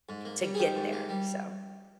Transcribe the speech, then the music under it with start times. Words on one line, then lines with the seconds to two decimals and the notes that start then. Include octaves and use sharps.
to get there, so
0.09 G#2
0.25 A#3
0.43 G3
0.54 G#4
0.59 D#3 G4
0.76 G#2
0.92 A#3
1.09 G3